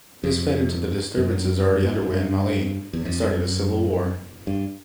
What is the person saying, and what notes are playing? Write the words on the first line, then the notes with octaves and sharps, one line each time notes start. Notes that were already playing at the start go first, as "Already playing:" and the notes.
This fed into the disturbances already underway in Mali, and started a civil war.
F2
F#2
A#2
A2
G#2
G2
E2
F2
G2
F#2
G2